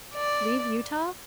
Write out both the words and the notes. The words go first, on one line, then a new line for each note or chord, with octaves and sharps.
"Leave Utah!"
D5